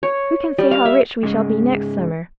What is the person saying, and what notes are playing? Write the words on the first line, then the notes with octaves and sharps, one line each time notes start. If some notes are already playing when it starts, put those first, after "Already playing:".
Who can say how rich we shall be next summer?
C#5
G3
F5
E5
G#2 C#3 G#3